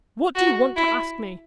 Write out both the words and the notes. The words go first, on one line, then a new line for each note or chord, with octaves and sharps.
"What do you want to ask me?"
F#4
E4